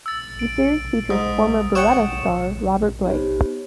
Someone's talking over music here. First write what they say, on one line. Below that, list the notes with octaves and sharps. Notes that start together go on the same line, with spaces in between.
The series features former "Baretta" star Robert Blake.
E6 A6
D7
G#2 D#6
C#5 F#5 G5 C#7 E7
B3 D#4 G4 C5 C#5